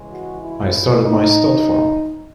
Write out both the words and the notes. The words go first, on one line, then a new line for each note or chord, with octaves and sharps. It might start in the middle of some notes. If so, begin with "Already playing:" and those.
I started my stud farm.
Already playing: C#3 E3 G#3
F#4
E4
D#4